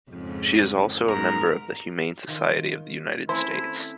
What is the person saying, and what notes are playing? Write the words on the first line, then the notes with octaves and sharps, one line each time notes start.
She is also a member of the Humane Society of the United States.
F2 G#2 C#3
G#2 B3 A#4
D#3 F4
A3 C4 C#4 E4 C5